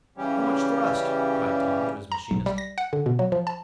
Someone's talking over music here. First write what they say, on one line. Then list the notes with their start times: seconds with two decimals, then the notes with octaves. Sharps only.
"How much thrust?" cried Tom to his machinist.
0.17 C#3 E3 G3 C#4 G4
2.12 A#5
2.31 B1
2.46 G3
2.58 A#6
2.78 F#5
2.93 D3
3.06 B2
3.19 F#3
3.32 F3
3.47 A5